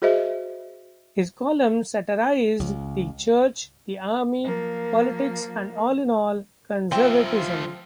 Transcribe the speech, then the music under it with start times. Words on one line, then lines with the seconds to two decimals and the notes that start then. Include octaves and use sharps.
His columns satirized the church, the army, politics and, all in all, conservatism.
0.02 F#4 G#4 C5 D#5 E5
2.60 C#2
4.43 F3 A#3
6.92 F3 C4 F4 E5 G5